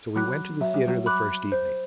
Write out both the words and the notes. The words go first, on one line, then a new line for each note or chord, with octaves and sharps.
So we went to the theatre the first evening.
F#3 B5 D6 F#6
F#3 E5
G3
F#3
B5 D6 F#6
C5